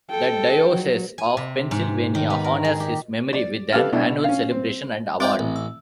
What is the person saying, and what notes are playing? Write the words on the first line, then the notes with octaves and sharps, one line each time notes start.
The Diocese of Pennsylvania honors his memory with an annual celebration and award.
A4 G5
F#3
G#5
C3
G#2
D#3
B3
A#4
G#4
G4
D5
G4 A4 B4 F5 F6
B2 D4 E4
C#4 F5
C4
C4 F4 D5 E5 G5
A1
E6